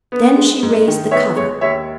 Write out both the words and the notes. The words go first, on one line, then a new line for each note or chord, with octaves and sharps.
Then she raised the cover.
B3
G#3
G#2
D#3
B3 C#5 E5
G#3 C#5
D#2 C#5 E5